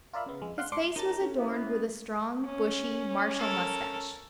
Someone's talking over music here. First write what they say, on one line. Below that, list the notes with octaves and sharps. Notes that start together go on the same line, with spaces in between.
His face was adorned with a strong, bushy, martial moustache.
F4 A#4 D5 E5 F5 B5
C#3 B3
F2 G#3
F5 F#5 C6
G#2 D4 C6 D6 C#7
F#2 D#4 A5 A#5
A2 C#4
A2 B3 E4
C#4
A4 A#4